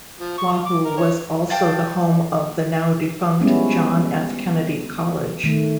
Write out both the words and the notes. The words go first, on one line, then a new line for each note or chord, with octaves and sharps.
Wahoo was also the home of the now defunct John F. Kennedy College.
F3
C#6
F4
D6
A#4
C#5
D5 F5 G5 A5
F3 G3 G#3 B3 C#4 E4
D#3 A3